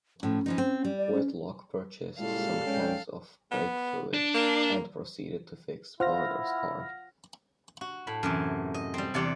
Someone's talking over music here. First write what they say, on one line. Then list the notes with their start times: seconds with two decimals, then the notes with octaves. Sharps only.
Whitlock purchased some cans of brake fluid and proceeded to fix Moroder's car.
0.23 A2 F3 C#4
0.46 E3 F3 D#4
0.58 C4
0.85 G3
0.98 D5
1.13 C#4
2.19 A#2 C#3 G3 G#3 E4 F4 A4 F5
2.67 B1 G#3 C#4 D5 G5
3.51 B3
4.14 D4
4.34 A#3
6.00 E4 F4 C5 F#5 F6 A#6
7.81 F#4
8.07 A2 B5
8.23 F#2 C3 E3
8.74 D#5
8.94 G3 C4
9.14 E2 C3 G4 D5 F#5